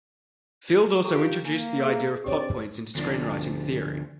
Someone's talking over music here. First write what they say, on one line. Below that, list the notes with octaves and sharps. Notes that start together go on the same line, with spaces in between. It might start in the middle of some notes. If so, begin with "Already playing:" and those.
Field also introduced the idea of Plot Points into screenwriting theory.
G3 F4 G4 A4 A#5 C#6
A#3 G#5
G#4 E6
C4 D4 G4 C#5 D5
D2 F3 D4